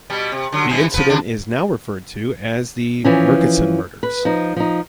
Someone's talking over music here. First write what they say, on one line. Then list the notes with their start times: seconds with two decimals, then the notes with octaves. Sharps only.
The incident is now referred to as the Murchison Murders.
0.10 B2 G3
0.32 C3
0.52 D3 F#3
0.69 G2 E3 B3
0.94 F3 B3 B4
1.09 D#2 D3 D4
3.04 E3 F3 C#4
4.03 B4
4.25 F3 D#4
4.56 F3 D#4